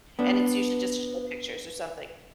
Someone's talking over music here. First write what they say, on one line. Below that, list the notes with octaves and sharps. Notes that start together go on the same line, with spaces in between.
and it's usually just to show pictures or something.
B3 D4